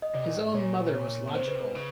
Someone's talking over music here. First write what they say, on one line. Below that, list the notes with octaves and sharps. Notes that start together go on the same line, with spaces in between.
His own mother was logical.
D#5
C3 D5
A#2
A2
G#2
A#2 C#5
C#5
B2
C3 C5
C#3 B4
C3
B2 B4
C#3